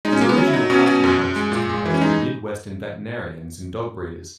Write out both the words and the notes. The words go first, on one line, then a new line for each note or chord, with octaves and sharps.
His original customer base was composed of Midwestern veterinarians and dog breeders.
G#3 D#4
C#4
G#3 A#3
B3
F#3 C#4
E4
F#3 D#4
B2 C#4
B2
F#2
F#2
G#3
A#2
G#3
E3
C#4
G#3 D#4